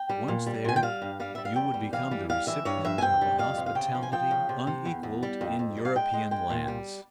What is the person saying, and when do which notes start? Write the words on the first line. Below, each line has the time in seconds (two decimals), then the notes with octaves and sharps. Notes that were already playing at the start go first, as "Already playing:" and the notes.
Once there, you would become the recipient of a hospitality, unequalled in European lands.
Already playing: G5
0.09 G3
0.28 A#2
0.47 G3
0.65 A#2 G#5
0.76 G5
0.83 G3 F5
1.02 G2
1.20 G3 F5
1.35 G3 E5
1.45 F5
1.56 E2 G5
1.74 G3
1.93 E3 F5
2.11 G3
2.29 G3 F5
2.47 E3 E5
2.65 G2 C#5
2.85 G2 E5
2.98 G#5
3.02 C3 G5
3.21 G3
3.38 F2 F5
3.57 C3
3.66 F5
3.75 C#3 G5
3.95 F3
4.03 G#5
4.12 F3 G5
4.31 C#3
4.49 C3
4.67 C3
4.85 E2
5.03 E2
5.23 G3
5.41 F2
5.59 F2
5.77 G3
5.85 F5
5.95 G#3 G5
6.13 G#3
6.31 G#3 G5
6.50 A#2
6.68 G3